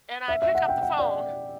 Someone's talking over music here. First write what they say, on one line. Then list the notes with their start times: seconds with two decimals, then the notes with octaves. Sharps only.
and I pick up the phone.
0.28 E5
0.42 E5
0.55 F#5
0.69 G5
0.81 F#5
0.99 D5